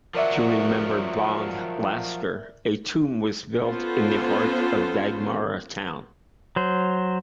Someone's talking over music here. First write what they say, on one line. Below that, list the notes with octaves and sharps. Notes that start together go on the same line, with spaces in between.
To remember Bong Lasker, a tomb was built in the heart of Baghmara town.
F3 F#3 F#4 A#4 D5 E5
B3 C#4 F4 A4 C5
F#3 C5